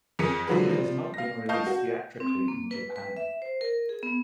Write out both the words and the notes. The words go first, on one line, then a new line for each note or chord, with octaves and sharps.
It has not been released theatrically in Japan.
F2 G#4 A#4 B6 C#7 D#7
D3 F3 F#3 G#3 B4
F3 G3
F5 A#6
D#5 F5 A5 C#6 G6
F#4
C4
A#3
B4
B4
E5
C5
A#4
G#4
B3